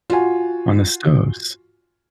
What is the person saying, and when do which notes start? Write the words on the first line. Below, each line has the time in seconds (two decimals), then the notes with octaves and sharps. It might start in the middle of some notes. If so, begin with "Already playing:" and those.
on the stoves.
0.10 F4 F#4 G#5